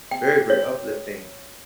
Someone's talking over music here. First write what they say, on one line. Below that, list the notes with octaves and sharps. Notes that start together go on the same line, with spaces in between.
very, very uplifting,
G5
C#5